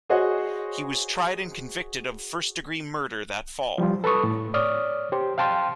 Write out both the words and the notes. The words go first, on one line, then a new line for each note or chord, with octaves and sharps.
He was tried and convicted of first degree murder that fall.
F#4 G#4 C5 C#5 D#5 F#5
F3 G3 F4
A4 B4 A5 C#6 D#6
A2
C#5 D5 D#6 F6
G4 C5
F5 G5 A5 C6 F6